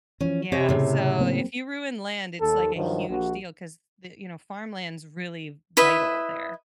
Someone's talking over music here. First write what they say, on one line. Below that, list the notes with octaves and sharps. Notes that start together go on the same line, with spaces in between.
Yeah. So, if you ruin land, it's like a huge deal 'cause the you know, farmland's really vital there,
E3 F3 C#4
C3 C4 G4 C#5 D#5
A2 C#3
F#3 A#3 C4
D#2 A4
G2 D#3 F3 F#3
A#1 F#4
E4 B4 D#5 E5